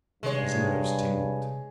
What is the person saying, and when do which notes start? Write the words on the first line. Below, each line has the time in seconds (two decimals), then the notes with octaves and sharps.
His nerves tingled.
0.23 G2 C3 G#3 C#5